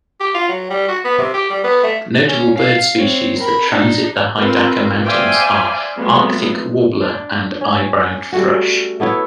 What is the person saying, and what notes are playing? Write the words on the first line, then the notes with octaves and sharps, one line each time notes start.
Notable bird species that transit the Hidaka mountains are Arctic warbler and eyebrowed thrush.
G4
F4
F#3
G3
F#4
B3
C3
G4
G3
B3
A3
C#4
F5
C4 C#5
A#4 B5
D4 D#4
C4 F4 A#4 B4
C5 D5 E5 F5 G5 G#5
F3 F#3 G#3 A3 B3 C4
D4
C#4
G3 A3 F#4
A3 B3 E4 C#5